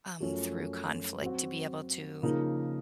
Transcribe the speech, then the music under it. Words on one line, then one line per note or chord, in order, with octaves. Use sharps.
um, through conflict to be able to,
F#2 F3 A3 C#4
F#3 C4 F#4
C#3 F3 A#3 D#4 A#4